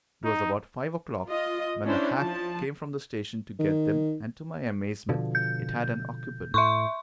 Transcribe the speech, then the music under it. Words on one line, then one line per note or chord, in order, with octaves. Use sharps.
It was about five o'clock when the hack came from the station to get them, and, to my amazement, it had an occupant.
D#4
F4 D#5
C#4 D4 E4 C5
F3 A5
D#3
B2 D3 F3
G6
A2 E5 C6 C#6